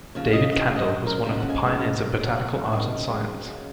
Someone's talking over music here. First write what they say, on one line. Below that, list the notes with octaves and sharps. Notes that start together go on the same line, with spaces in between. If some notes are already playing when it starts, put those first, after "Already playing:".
David Kandel was one of the pioneers of botanical art and science.
D#2 C#3 F3 C#5
D#5
F#2 C#3 F#3 D#5
C#5
D#5
F#2 C#3 F#3 C5
A#4
D#2 C#3 F3 G#3 C#4 C5
F#5
G#5
D#2 C#3 F3 G#3 C#4
A#2 F#3 C4
A#2 F#3 C4 F#5
F#5
F#2 D#3 G#3 C4 G#5
F#2 D#3 G#3 C4
C#3 F#3 G#5